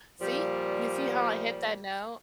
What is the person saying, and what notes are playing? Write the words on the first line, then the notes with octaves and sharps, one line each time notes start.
See, you see how I hit that note?
A#2 F3 G3